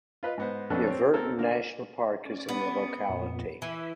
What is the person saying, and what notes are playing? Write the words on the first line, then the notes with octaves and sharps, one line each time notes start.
Yelverton National Park is in the locality.
F4 B4 D#5
G#2 B3 C5
F2 A#2 B3 C#4 D4 A4
C4 C#5
C4 A4 A#4
D3 A#3
C#4 D5
B3
F2 A#2
E3 E5